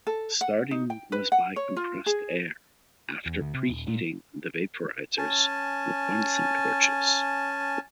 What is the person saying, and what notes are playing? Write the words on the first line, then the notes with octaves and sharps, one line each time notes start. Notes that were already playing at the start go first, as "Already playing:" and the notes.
Starting was by compressed air after pre-heating the vaporisers with bunsen torches.
A4
F#5
D#4
G5
B4
F#5
C#5
F4
G#4
E2
D2
C3
D#1
A#2
C#4 G#5 A5